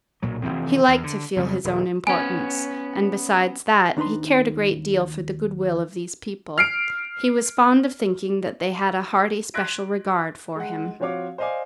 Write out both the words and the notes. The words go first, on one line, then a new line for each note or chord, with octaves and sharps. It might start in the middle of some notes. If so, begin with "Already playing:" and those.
He liked to feel his own importance, and besides that, he cared a great deal for the good-will of these people: he was fond of thinking that they had a hearty, special regard for him.
B1 A#2 F#3
F1 F2 E3 C4
E2
D3
F2 C#3 G3
D#1
B3 C#4 G#5
D#2 D4 D#4 B4 C6
F6 C7 D7
C6 F#6 G#6 A#6 B6 D7
G#3 F#5
F3 C4 F#4 C#5 F5 D6
C5 D5 D#5 F5 G#5 D6